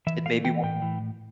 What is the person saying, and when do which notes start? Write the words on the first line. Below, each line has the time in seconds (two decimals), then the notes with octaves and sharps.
it made me wa
0.07 E3 E5
0.26 A3 F5
0.45 E3 G5
0.63 A2 G5
0.82 E3